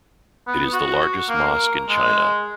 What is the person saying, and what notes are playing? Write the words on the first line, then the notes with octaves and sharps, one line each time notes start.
It is the largest mosque in China.
B3
F#4
A#3
A#4
G#3